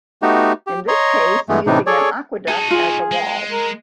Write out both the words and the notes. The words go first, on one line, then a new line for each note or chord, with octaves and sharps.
In this case using an aqueduct as a wall.
A3 B3 D#4 F#4 G4
G4
C#5 D#5 A#5 C6
G2 E3 G#3 A3 B3
A2 C3 E3 D4 D#4
G#4 A4 C#5 D5
D#4 F#4 G#4 A5
F4 G#4
G#3
A#4